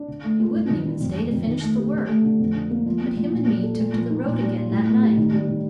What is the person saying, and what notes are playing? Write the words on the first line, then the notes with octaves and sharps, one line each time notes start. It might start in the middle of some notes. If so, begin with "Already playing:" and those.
He wouldn't even stay to finish the work, but him and me took to the road again that night.
Already playing: D4
D3
A3
F4
G2
D#3
G2
F2
D3
F2
D#3
A3
G4
D3
A3
D3
F2
D3
A#3
F3
C4
F3
A#2
G3
A4
A#2
F3
D#4
A#2
G3
F4
A2
A3
G4
D#3
G3
D#3